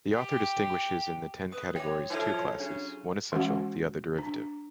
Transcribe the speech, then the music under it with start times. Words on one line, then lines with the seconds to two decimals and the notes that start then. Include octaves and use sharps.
The author distinguishes in the ten categories two classes, one essential, the other derivative.
0.13 G4
1.52 B4 D#6
1.76 G#3 C#5 G5 D6
2.10 F3 F#3 E4 F4 A4 C6
2.60 C#3 D4
3.32 E3 G#3 C#4 F#4 F#5
4.19 D4